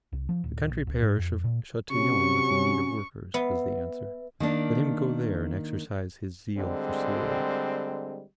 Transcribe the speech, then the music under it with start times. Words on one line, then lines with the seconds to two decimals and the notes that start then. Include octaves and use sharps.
The country parish of Chatillon was in need of workers, was the answer; let him go there and exercise his zeal for souls.
0.13 C2
0.29 F3
0.44 D1
0.70 A#1
0.87 C#2
1.02 G#2
1.19 F2
1.44 A#2
1.91 C3 F#3 C#4 C#6
3.34 B3 B4 E5
4.40 D#3 A#3 D4
6.57 D3 G3 G#3 C4